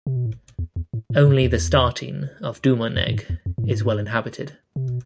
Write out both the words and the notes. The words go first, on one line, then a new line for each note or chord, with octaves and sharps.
Only the starting of Dumalneg is well inhabited.
C3
B2
A2
E2
E2
A2
A2
G#2
E2
F2
A2
G#2
E2
F2
A2
G#2
C3
B2